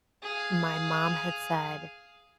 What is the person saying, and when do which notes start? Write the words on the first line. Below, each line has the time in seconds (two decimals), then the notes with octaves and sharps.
My mom had said,
0.23 G#4 F5